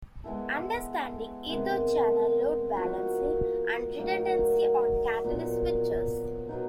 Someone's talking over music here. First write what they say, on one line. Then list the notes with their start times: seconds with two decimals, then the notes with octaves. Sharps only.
Understanding EtherChannel Load Balancing and Redundancy on Catalyst Switches.
0.24 G#3 B3 E4 A4
1.49 C3 D#3 G#3 B3
2.74 F3 A#3 D#4 F#4
3.99 A2 F#3 A#3 D#4
5.24 A#2 F#3 B3
6.49 B2 F#3 B3 D#4